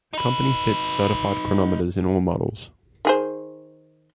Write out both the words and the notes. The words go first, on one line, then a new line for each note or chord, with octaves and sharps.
The company fits certified chronometers in all models.
D#4 B4
D#3 G#4 C5